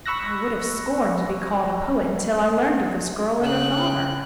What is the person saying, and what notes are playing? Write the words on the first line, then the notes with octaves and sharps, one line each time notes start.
I would have scorned to be called a poet until I learned of this girl and her father.
B5 C#6 E6 F#6 A#6
C#3 G5 F#6